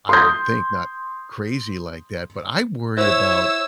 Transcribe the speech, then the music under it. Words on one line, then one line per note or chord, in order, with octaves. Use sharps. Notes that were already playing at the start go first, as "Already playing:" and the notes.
I would think not crazy like that, but I worry about,
C6 D#6 G6
E4 C5 C#5 E6